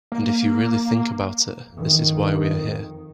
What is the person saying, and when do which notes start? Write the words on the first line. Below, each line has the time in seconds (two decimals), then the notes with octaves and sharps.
And if you really think about it, this is why we are here.
0.12 A#3
1.73 F2 D#3